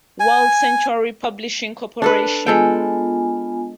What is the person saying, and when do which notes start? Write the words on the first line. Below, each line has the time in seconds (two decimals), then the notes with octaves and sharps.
World Century Publishing Corporation.
0.20 G#5
2.02 D4 A4 B4
2.46 G#3 B3 F4 A4 G5 G#5